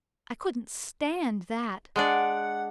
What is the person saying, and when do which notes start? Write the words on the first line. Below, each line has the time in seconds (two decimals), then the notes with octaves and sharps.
I couldn't stand that.
1.96 G#3 D4 D5 F#5